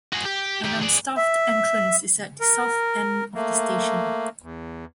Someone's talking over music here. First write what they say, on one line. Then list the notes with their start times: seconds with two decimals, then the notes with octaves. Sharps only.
An un-staffed entrance is at the south end of the station.
0.13 F#4 G#4
0.26 G4
0.64 D#3 G4
0.82 G#4 D5
1.17 E5
2.41 A#4
3.35 A3 A#3
4.42 E2